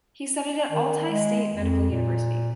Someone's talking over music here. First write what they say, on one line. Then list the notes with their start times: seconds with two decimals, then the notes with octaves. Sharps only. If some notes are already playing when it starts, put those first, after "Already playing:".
He studied at Altai State Medical University.
0.72 D#3
1.08 G#3
1.54 F2
1.90 A#2